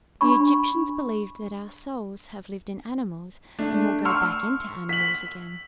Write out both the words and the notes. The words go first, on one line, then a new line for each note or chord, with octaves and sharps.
"The Egyptians believed that our souls have lived in animals, and will go back into animals again."
D4 B5 C#6
A3 D4
C6 C#6 E6 F6
B6 F#7